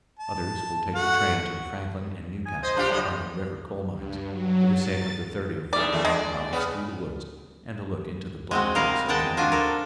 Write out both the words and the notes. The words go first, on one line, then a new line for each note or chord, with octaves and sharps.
Others will take the train to the Franklin and Newcastle or Carbon River coal mines for the sake of the thirty- or forty-mile rides through the woods, and a look into the black depths of the underworld.
A5
A3 F#4 F#5
G#5
C5 D#5
D4 F4 G4
A2 F#3 D#5
G2
F#3
A6
G2 B2 A3 D5
E2 A#2 A3
G#3 D4
C#3 B3
G#3 C4 F#4
C3 G3 A#4 D#5 F5
D#3 G#3 F#5 G5 A5
D4 F4 F#4 G#5
A4 A#4